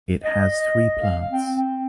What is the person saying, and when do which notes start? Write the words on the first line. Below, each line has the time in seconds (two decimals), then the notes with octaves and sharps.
It has three plants.
0.24 D#5
0.41 D#5
0.99 F5
1.30 C4
1.54 C4